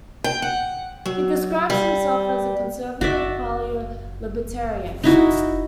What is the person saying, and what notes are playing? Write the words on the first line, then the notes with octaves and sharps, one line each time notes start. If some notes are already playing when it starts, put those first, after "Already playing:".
He describes himself as a conservative-paleo-libertarian.
G5
F#5
F#3
G3
F#1 F#4 D5 E5
D#4 E4 F#4